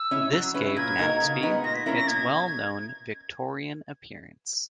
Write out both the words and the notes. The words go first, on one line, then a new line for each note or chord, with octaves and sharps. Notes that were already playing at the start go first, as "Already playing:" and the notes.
This gave Naseby its well-known Victorian appearance.
Already playing: E6
C#4 E4
F#3
C#4 E4 B4
A#2 G#6
A#3 D#4 F#4 A#4
C#3
G#3 B3 D#4
A#2 A#6
B6
A#3 C#4 E4 A#4
A#6
B2 G#6